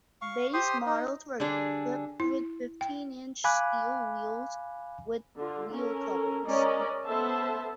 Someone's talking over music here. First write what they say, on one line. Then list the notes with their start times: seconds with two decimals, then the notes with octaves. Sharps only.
Base models were equipped with fifteen-inch steel wheels with wheel covers.
0.22 F5 C#6
0.53 G4 C5 C6 D#6
0.86 D#4
1.40 D3 G3 D4 G#4
2.20 E4
2.81 G5
3.44 F5 G#5 B5 D6 F#6
5.38 D3 F4
5.72 C#4 A4 A#4
6.45 G#3 C#4 A#4 D5 D#5
7.06 B3 A4 C5 E5 A5